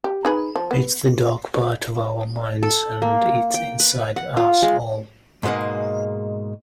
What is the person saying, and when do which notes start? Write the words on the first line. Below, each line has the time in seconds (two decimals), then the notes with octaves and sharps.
It's the dark part of our minds and it's inside us all.
0.04 G4
0.25 D#4 G#4 B4
0.56 F3
0.71 B3
2.63 A4
3.02 A#3
3.54 G5
3.80 B4
4.16 F#5
4.37 F4
4.62 G#3
5.43 G#2 B2 G#3 A#3 D#4